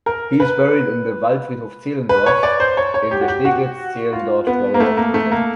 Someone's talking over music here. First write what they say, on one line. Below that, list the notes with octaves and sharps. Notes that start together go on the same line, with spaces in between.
He is buried in the Waldfriedhof Zehlendorf, in the Steglitz-Zehlendorf borough of Berlin.
A#4
B4
B4
C#5
D5
C5
C#5
C#5
G4
F#4
G4
F#4
F4
B3
A#3
A3
A#3
A3
A#3